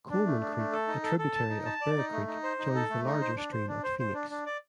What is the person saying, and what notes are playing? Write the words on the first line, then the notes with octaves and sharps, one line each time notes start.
Coleman Creek, a tributary of Bear Creek, joins the larger stream at Phoenix.
D4
A3
D4
A3
A4
D#4
A4
A4
A5
D#4
A5
D5
D#4
A3
D#4
C5
D#4
A4
A3
D#4
C5
D4
C5
D4
C5
C5
D4
D4
D5